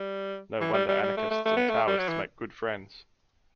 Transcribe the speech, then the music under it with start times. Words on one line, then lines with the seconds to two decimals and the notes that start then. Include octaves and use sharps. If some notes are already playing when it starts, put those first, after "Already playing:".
No wonder anarchists and Taoists make good friends.
Already playing: G3
0.61 E3
0.74 G3
0.89 G3
1.03 G3
1.17 A3
1.31 A3
1.46 A3
1.57 B3
1.70 A3
1.88 G3
1.98 F#3
2.09 E3